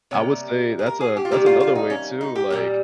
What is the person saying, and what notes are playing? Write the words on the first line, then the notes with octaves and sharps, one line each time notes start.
I would say that's a that's another way too, like
C3 G3 A#3 C#5
G#4
A#4
G#4
G4
F4
C3 D#3 G3 A#3 G4
F4
F4
D#4
C#4
D#4
G4
A#2 G3 A#3